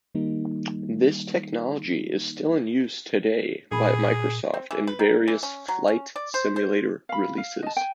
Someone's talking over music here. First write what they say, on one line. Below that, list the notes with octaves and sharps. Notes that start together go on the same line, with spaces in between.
This technology is still in use today by Microsoft in various Flight Simulator releases.
D#3 G3 A#3 D#4
A#2 G#4 B5
C4
E3
B4
D#3
E3
C#4
F#3
C#4
D5
C5
C5
F5 B5
F5
D#5 A5
G5 G#5